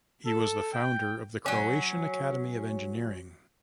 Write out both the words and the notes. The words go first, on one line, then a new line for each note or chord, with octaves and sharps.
He was the founder of the Croatian Academy of Engineering.
A4
G5
F#3 C#4